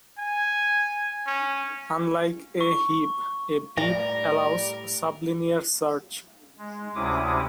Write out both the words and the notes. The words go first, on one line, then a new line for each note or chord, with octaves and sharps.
Unlike a heap, a beap allows sublinear search.
G#5
C#4
C#6
A2 G3 A#4 A#5
G#3
D2 C3 C#4 E4 D6 D#6